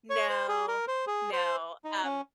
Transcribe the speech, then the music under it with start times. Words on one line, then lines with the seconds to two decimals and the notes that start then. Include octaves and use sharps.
No, no, um
0.10 C#5
0.29 C5
0.49 G#4
0.68 A#4
0.88 C5
1.07 G#4
1.33 C5
1.85 D#4
2.04 C#4